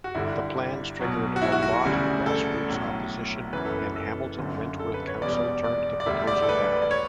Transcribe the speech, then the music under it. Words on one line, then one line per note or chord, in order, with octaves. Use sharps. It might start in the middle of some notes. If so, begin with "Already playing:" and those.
The plans triggered a lot grass-roots opposition, and Hamilton-Wentworth Council turned the proposal down.
F#4
G1 G2 D3 G3 E4
B1 B2 F#3
F#4
E4
F#4
F#4
F#4
E1 D2 C#3 G3
A4
B1 A2 F#3
F#1 F#2 E3 B4
A4
B4
A4
G1 F#2 D3
A4
B4
C#5
E1 E2 B2 G3 D5
D5
D5
E1 D2 D3 G3 E5
D5
A4
B4
D5
C#5